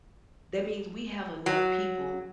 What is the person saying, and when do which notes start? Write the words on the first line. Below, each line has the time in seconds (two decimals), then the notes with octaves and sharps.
that means we have enough people
1.46 F#3